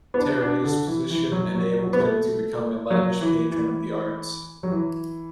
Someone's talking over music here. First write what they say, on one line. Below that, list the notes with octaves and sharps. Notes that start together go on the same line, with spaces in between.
Terray's position enabled him to become a lavish patron of the arts.
B3
D4
D4
D3
E3
E3
F#3
F#3
F#3
B3
A3
F#3
E3
E3
F#3
E3